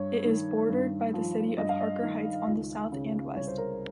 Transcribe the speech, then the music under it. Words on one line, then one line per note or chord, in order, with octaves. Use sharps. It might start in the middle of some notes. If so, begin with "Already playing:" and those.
It is bordered by the city of Harker Heights on the south and west.
Already playing: G2 C#5
D#3
G2
F3
G2 D#5
F5
D#5
D#3
C#2
C#3
C2 C#5
C5
A#4